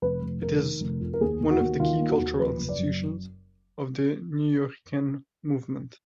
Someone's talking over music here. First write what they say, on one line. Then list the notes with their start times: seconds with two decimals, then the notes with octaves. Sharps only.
It is one of the key cultural institutions of the Nuyorican Movement.
0.02 F1 B4
0.22 F1
0.41 F1 A#4
0.61 D#3
0.81 F1
1.01 F2
1.13 A#4
1.21 D#2 G#4
1.41 D#2
1.51 F#4
1.61 D#2
1.80 D#3 F4
1.99 A#3
2.09 F#4
2.19 D#2
2.39 F3 B4
2.59 F#1
2.69 D5
2.78 F#2